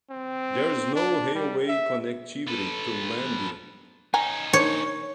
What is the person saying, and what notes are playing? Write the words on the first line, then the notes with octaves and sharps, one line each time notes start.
There is no railway connectivity to Mandi.
C4
D4
G3
E5
A4 B4
C#4 D#4 G#5 A#5
D4 C#5